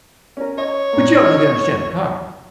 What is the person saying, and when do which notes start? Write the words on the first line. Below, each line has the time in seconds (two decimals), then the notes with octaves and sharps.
but you don't really understand the car,"
0.37 C#4 A#4
0.58 C#5 D#5
0.93 A#2 A#3
1.24 D#5 E6 F6